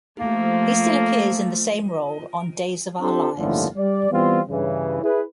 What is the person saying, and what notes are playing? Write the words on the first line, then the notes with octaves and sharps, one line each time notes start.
He still appears in the same role on "Days of Our Lives".
F3 A3 A#3
C4 D4 F4 G4 A4 C5
G1 D#2 A2 D3 E3 F3
G3 D5
E3 G3 B3 C4 F4
G2 C#3 E3
E4 G#4 B4